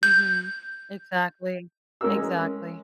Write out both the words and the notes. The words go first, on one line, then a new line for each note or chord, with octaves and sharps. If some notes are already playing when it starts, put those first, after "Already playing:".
Mhm. Exactly, exactly.
G6
G#3 C#4 A#4 E6